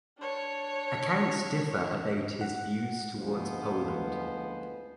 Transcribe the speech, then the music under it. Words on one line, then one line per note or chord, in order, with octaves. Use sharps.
Accounts differ about his views towards Poland.
D4 C#5
F#5
F#1 D2 F3 G#3 B3 C5